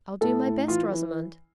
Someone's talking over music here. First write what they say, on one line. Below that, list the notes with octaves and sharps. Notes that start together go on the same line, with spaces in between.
'I'll do my best, Rosamond.
A2 A4
A2
E3 F4
E3